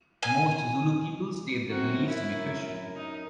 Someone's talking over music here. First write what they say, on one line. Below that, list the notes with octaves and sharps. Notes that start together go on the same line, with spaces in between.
Most Zulu people state their beliefs to be Christian.
G#5
F#2 C4 F#4 A#4
E4
D#4